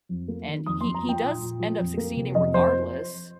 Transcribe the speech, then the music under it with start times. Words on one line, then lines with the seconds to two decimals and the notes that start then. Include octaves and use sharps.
and he he does end up succeeding regardless,
0.09 F2
0.28 A#3
0.48 D#3
0.66 F2 D#6
0.81 F2 C6
0.94 A#5
1.04 F3 G5
1.22 A#2
1.42 A#2
1.60 F3
1.79 F2
1.97 A#3
2.17 C3
2.35 F2 D#5
2.54 F2 C5